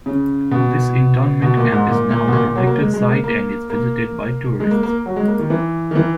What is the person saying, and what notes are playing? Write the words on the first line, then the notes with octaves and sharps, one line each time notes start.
This internment camp is now a protected site and is visited by tourists.
C#3
B2
B2
A#2
G#2
A#2
A#2
B2
A#2
A#2
F#3
A#3
G#3
G#3
A#3
A#3
A#3
G#3
A#3
A#3
F#3
G#3
A#3
D#3
E3
D#3
E3